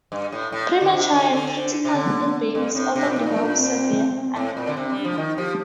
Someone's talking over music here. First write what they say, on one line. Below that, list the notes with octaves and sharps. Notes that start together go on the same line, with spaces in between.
Premature and critically ill babies often develop severe anemia.
G2
A2
A2
D#5
D3
C3
D3
D3 D5
C5
D4
C3
D3 C4
A#3
C4
G2 C4
A2 C4
C3 D4
A#2
A2 D#4
A#2
D4
C4
A2 C4
A#2
D3
C3
G3
D4
F3
D#3 D#4 F4
F3 G4